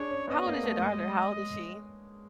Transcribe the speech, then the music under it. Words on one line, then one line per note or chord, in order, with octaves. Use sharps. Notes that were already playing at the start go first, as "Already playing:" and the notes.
How old is your daughter? How old is she?
Already playing: D4 G#4 C#5
C#4
B3 D#5
A#3
A3
G#3